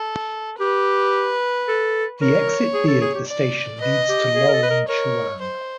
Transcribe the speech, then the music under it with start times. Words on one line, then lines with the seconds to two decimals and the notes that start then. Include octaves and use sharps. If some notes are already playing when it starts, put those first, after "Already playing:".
The Exit B of the station leads to Lorong Chuan.
Already playing: A4
0.60 G4 B4
1.68 A4
2.21 A#4 C#5
2.74 G#4
2.88 A4
3.01 G#4
3.15 G4
3.28 D5
3.81 B4 D#5
4.09 G4
4.35 G#4
4.48 A#4
4.53 A4
4.63 B4
4.70 A#4
4.88 A#4 C#5
5.42 C5